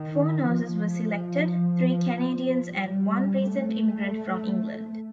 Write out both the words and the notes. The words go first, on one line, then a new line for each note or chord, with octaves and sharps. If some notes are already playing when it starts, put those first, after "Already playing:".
Four nurses were selected, three Canadians and one recent immigrant from England.
Already playing: D#3
F3
G3
A3